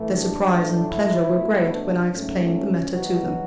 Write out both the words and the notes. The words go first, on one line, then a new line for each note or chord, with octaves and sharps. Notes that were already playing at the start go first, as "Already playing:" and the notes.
Their surprise and pleasure were great when I explained the matter to them.
Already playing: A2 E3 A3
D4
A2 F#3 A3
E4
B2 A3
D4
G#2 F#3 A3 C#4
E2 B2 F#3 F#4